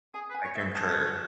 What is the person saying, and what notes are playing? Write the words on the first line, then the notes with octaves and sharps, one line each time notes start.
I concur.
G#4 G#5
B4
G#5
C#5
E5
A4
G#4 A5
C#4
C#4